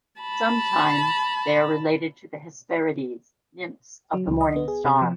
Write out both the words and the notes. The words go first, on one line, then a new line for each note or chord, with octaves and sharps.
Sometimes they are related to the Hesperides, nymphs of the morning star.
A5 B5
F#3
C#2
D#5
B3
G#4
C3
F3